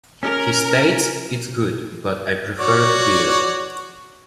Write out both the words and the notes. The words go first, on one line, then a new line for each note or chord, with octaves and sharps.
He states It's good, but I prefer beer.
C#4 A#4
F#4 C#5 D5